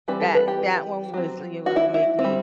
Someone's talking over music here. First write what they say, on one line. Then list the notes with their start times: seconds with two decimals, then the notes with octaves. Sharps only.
That that one was you w would make me
0.08 E3 G3 C4 B4
0.21 A4
0.35 B4
0.48 G4
1.14 F#3 C4
1.66 F#4
1.76 E4
1.94 E4
2.19 C4
2.24 G3